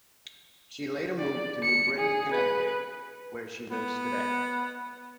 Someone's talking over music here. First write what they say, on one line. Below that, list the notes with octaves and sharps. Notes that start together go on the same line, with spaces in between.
She later moved to New Britain, Connecticut, where she lives today.
D5
C#7
G#4
B4
B3